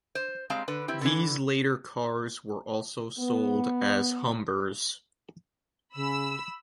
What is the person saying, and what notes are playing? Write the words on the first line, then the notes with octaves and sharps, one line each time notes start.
These later cars were also sold as Humbers.
C5
G3 G#3 C4 F5 A#5
D3 B4
C4 E4 G4
D3 E3
B3
C#3 B5 E6